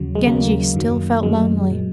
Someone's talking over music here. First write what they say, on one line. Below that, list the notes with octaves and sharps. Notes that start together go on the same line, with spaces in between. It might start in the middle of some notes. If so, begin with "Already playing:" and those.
Genji still felt lonely.
Already playing: D#2 C#3 F#3
G#3
D#2 C#3 F#3 A#3
F#2 D#3 F#3
F#2 D#3 F#3 G#3
A#2 F#3